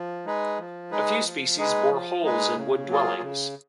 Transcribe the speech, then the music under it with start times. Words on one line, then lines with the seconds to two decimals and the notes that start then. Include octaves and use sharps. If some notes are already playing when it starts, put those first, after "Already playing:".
A few species bore holes in wood dwellings.
Already playing: F3
0.26 G#3 D#4 G#4 B4
0.59 F3
0.91 G#3 D#4 G#4 B4
1.24 F3
1.57 G#3 D#4 G#4 B4
1.90 F3
2.23 G#3 D#4 G#4 B4
2.56 C#3
2.88 F#3 A#3 F4 G#4
3.22 C#3